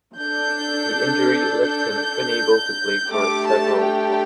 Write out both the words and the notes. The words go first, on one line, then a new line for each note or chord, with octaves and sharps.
The injury left him unable to play for several months.
D4 A4 G6
G6
A3 D4 G4 D6
A5
G5